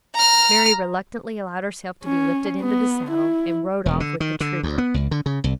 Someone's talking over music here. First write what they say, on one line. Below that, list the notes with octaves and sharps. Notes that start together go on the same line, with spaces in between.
Mary reluctantly allowed herself to be lifted into the saddle, and rode off with the trooper.
A#5 F6
C#4
B3
E4
E1
D3
D#3
D3
D2
B3
C#2
D3
C#3
C2